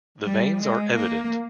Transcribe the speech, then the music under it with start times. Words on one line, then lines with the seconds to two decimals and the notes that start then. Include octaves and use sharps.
The veins are evident.
0.25 G3
0.61 G#3
0.96 A#3